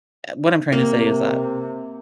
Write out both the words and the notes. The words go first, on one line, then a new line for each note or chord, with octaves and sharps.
Uh, what I'm tryna say is that
C3 A#3